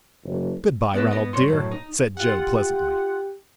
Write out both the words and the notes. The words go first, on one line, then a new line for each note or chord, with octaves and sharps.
"Good-by, Ronald dear," said Joe pleasantly.
F#1
B3 B4 D#5 E5
B3 D#5
G2 C#5 C6
F#2 A2
D#4
F4 G4 F#5